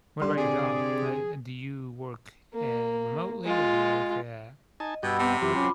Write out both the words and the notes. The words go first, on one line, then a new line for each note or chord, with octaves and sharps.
what about your job, uh, and do you work, eh, remotely or do you work at
D3 G3 D4 C6
C3 G#4 D5
A#3
G#3 F4
D#4 D#5 G#5 A5
G2 B2 G4 D#5 F#5 B5 E6
C3 B3
F#2 E3 C4 F4 G4 B5 D6
F#3 C#4 C5